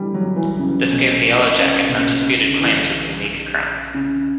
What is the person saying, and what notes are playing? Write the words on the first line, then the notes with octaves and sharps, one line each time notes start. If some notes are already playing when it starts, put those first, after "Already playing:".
This gave the Yellow Jackets undisputed claim to the league crown.
Already playing: D3 E3 G3
F#3
E3
C#3
B2
C#3
B2
C#3
C#3
D3
E3
C#3